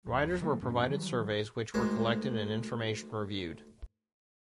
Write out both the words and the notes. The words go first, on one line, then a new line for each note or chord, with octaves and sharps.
Riders were provided surveys which were collected and information reviewed.
E1 B1
D#3 F#3 A3 A#3
F#2 A2 A#3 C#4
D#3 E3 F#3 G3
D2 D#3 G#3